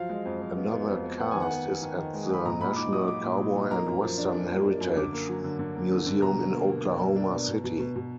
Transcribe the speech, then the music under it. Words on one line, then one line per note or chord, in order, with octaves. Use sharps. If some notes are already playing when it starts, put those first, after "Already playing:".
Another cast is at the National Cowboy and Western Heritage Museum in Oklahoma City.
Already playing: F3 F#3 F5
G#3
F2
F2
B3
B3
F2
B3
B3 F#5
D#3 G#5
F#5
B3
B3
D#3
D#3
G#3
G#3 B5
A#2 A#5
A#2 B5
D#4 D6
F#3 D#6
F#3 D6
A#2
F#3
D#4
A#3 A#5
F#2
F3
D4
D4
A#3
A#3
F#2
D3 D6
A#3
F#3
D3
D3
A#3
D3
D3
B2 A#5
F#3
A#3
B2
D4
A#3
D4
B2
B2
B2
B2
B2